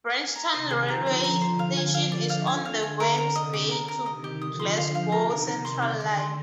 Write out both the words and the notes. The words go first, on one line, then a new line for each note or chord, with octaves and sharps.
Branchton railway station is on the Wemyss Bay to Glasgow Central line.
G#4
A#5
C3 D#3 C5
G#4
D3 F3 A#5
C5
A#5
C5
F5
G#5
D3 F3 F5
D5
D3 F5
G#5
F5
G#5
A#4
A#4
C3 D#5
G4
A#4
A#4
C3 D#3 D#5
G4
D3 F3 D#6
C6
F5
F5
C3 D#3 A#4
A#4
C3 A#4
C6
D3 D5
D5
C6